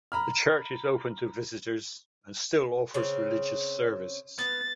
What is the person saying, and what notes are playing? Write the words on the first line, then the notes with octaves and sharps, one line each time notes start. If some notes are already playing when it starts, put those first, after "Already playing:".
The church is open to visitors and still offers religious services.
A#5 B5 F6
C#3 C4
B3 F5 A6